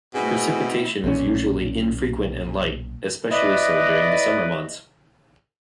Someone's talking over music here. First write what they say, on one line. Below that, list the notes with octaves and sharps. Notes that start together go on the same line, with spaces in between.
Precipitation is usually infrequent and light, especially so during the summer months.
B2 A3 C4 E4 G#4
B1 A#2 F#3 C#4
E4 B4 D5 D#5